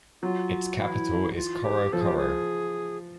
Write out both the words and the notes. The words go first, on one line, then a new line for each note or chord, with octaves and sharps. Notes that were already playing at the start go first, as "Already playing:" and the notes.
Its capital is Coro Coro.
F#3 F4
E3 E4
F4
G4
F3 A4
G#4
G4
F3
G#4